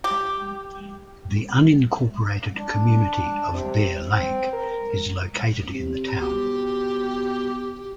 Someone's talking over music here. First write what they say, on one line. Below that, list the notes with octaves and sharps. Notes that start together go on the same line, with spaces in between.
The unincorporated community of Bear Lake is located in the town.
G4
D4
C3
C4
A#4
C3
B2 G4